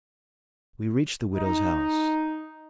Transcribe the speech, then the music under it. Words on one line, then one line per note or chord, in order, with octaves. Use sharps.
We reached the widow's house.
D#4